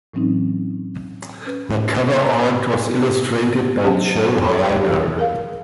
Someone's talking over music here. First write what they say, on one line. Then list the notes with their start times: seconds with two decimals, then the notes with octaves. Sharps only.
The cover art was illustrated by Joe Heiner.
0.14 A2 E3 F#3 C4 C#4 D#4
1.46 C#4 B4
3.83 F#3 C#4 G4 C5 F#5 A5
4.44 A4 C#5 B5
5.17 G#4 A#4 F5